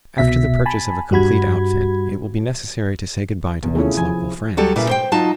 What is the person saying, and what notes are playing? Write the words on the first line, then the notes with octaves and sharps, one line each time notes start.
After the purchase of a complete outfit, it will be necessary to say goodbye to one's local friends.
C2 B2 E5 B6
G#5 A5 B5
G2 G3 F#4 B5 G#6
E2 C3
A3 C#4 E4 F4 G#4
F3 G#5
F#3 G3 A4
A#2 C#3 E4 B4
C5 G5
F#3 D#4 F4 A5